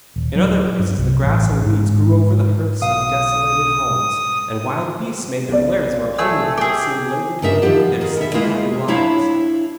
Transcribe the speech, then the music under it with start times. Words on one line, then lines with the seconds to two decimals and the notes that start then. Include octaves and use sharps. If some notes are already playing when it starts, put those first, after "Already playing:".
In other places the grass and weeds grew over the hearths of desolated homes, and wild beasts made their lairs where homely folk seemed lately to have lived their simple happy lives.
0.16 D#1
0.36 F#3
0.79 G2
0.98 C2
1.23 A1
1.66 G#2
2.82 B1 F5 D#6
5.48 B1 D5
6.19 A3 G#4 E6
6.57 G4 G#4
7.42 G2 C#3 D4 D#4 A#4 E5
7.62 E3 F3 G4 F#5
8.01 D#3 G#4
8.17 B2 E5
8.34 G#3 A#3 E4 F4 G#4 E5
8.88 D4 E4 C#5 E5 F5